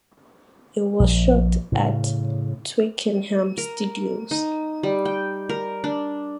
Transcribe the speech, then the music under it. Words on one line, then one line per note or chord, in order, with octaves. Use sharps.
It was shot at Twickenham Studios.
A#1
A2 C#3
A#4
D#4
G3
G5
A#4
D4